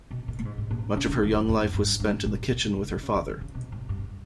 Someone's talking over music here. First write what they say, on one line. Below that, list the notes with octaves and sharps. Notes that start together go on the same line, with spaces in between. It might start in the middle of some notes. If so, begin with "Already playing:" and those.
Much of her young life was spent in the kitchen with her father.
B2
A#2
A#2
G#2
G#2
A#2
C#3
D#3
E3
G2
E2
G2
G2
G2
G2
A#2
B2
C#3
D#3
E3
D#3
C#3
D#3
E3
C#3
B2
G#2
G2